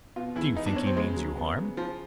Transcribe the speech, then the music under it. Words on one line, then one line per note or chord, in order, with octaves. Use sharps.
"Do you think he means you harm?"
B2 F4
E2 E4
B3 D#4
D4
B2 C#4
C4
C#3 G#3
F#3
B3
C#3
C#3 F3